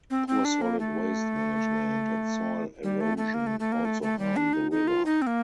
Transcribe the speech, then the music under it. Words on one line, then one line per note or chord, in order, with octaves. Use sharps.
Poor solid waste management and soil erosion also harm the river.
C4
C4
D4
A#3
A3
G3
A3
A3
A#3
A3
A3
A#3
A3
A3
G3
D4
D#4
D#4
F4
D#4
C4
A#3